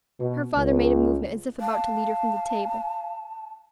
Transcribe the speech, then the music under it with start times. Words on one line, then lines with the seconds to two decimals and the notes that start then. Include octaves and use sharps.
Her father made a movement as if about to lead her from the table.
0.19 B2
0.56 C#2
1.61 F5 A5